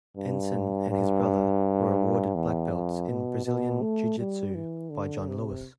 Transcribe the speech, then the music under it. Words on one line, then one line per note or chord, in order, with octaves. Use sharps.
Enson and his brother were awarded black belts in Brazilian Jiu-Jitsu by John Lewis.
G2
G2
E2
F2
B2
B2
A3
G3
E3
D3
C3